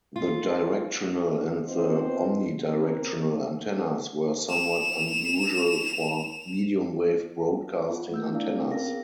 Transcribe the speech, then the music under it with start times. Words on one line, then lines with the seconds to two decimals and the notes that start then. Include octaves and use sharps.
The directional and the omnidirectional antennas were somewhat unusual for mediumwave broadcasting antennas.
0.16 F4
1.65 F3 B3 C4 F4 C5 D#5
2.71 C#3 A#3 C4 A#4
4.49 E7 F7
7.91 F4 F#5
8.12 A3 E6 G6
8.32 A3 D4 E4 D5 F5
8.52 C4 F4
8.70 B3 C#4 A#4 F5 A#6
8.88 G#4